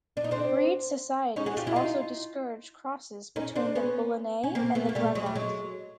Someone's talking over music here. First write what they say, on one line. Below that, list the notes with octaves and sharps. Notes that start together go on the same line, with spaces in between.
Breed societies also discouraged crosses between the Boulonnais and the Brabant.
D4
D#4
C4 D4
C#4 D#4
F#4 G#4
F4 G4
E4 F#4
D#4 F4
C#4 D#4
C4 D4
B3 C#4
C#4
A#3 C4
A3 B3
A#3
G3 A3
F#3 G#3
A3
F#3 G#3